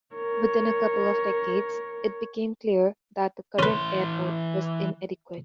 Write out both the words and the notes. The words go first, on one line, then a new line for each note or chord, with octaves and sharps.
Within a couple of decades, it became clear that the current airport was inadequate.
A#4 C#5
E3 C#4 B4 C6